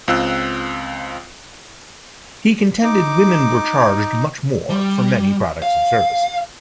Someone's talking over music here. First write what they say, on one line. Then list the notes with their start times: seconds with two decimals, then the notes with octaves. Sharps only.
He contended women were charged much more for many products and services.
0.08 C#2 C4 F4 E6 F#6
2.83 D#4 D6
4.70 G3
5.62 F5